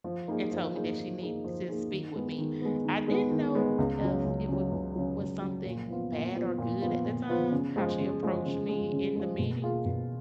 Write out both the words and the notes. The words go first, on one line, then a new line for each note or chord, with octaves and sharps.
and told me that she needed to speak with me. I didn't know if it would was something bad or good at the time, how she approached me in the meeting,
F3
A#3 D#4 G#4
F3
A#3 D#4 G#4
F3
A#3 D#4 G#4
F3
A#3 D#4 G#4
D#3
G#3 B3
D#3
G#3 B3
D#3
G#3 B3
D#3
G#3 B3
C#2
C#3 F#3
C#2
C#3 F#3
C#2
C#3 F#3
C#2
C#3 F#3
A#2
F3 B3 F4
A#2
F3 B3 F4
A#2
F3 B3 F4
A#2
F3 B3 F4
C#3
F3 G#3
C#3
F3 G#3
C#3
F3 G#3
C#3
F3 G#3
B2
A#3 F4 G#4
B2